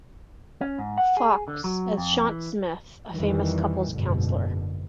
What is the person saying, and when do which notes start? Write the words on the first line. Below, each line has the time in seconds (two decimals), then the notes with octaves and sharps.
Fox as Shante Smith, a famous couple's counsellor.
0.61 C#4
0.79 G#2
0.98 F#5
1.17 G#4
1.48 D3
1.64 F#3
1.97 F2
2.28 E3
3.10 F2 D#3 E3 G3
3.92 F#1 G#2 B2 D3